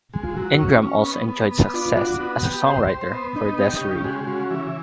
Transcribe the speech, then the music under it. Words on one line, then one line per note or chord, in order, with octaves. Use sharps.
Ingram also enjoyed success as a songwriter for Des'ree.
G#3
F4
F#3 F#4
C#4
C#4
B3
B3
B3
D4 F4
F#4
B3
G4
C5
C5
B3
D4 D#4
C4 G4
C#3
G#3 F#4
C#3 F#4
E3